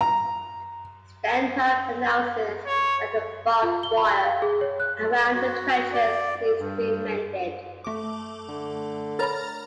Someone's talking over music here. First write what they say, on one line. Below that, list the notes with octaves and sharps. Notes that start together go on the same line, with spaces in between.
Stanhope announces that the barbed wire around the trenches needs to be mended.
A#5
C#5
F4
G7
B5
F5
G#4
C#5
F#6
F#4
D5
G2
A3 D6
D3
A#4 C#5 A#5 B5 F6 A6